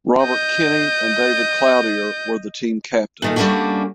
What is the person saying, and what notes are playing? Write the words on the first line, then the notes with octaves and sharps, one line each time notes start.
Robert Kinney and David Cloutier were the team captains.
D#5 G6
A#2 D#3 A3
G3 A3 A#3 C#4 D4 F#4